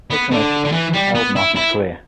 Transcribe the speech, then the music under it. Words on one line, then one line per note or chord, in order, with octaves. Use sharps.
Patronage propelled Martin's career.
B3
D3
D3
E3
G3
B3
E4
E4